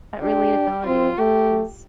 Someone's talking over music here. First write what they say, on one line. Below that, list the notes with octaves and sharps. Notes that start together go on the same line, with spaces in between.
That relatability, I think, is
D4 G4
C4 F4
A3 G4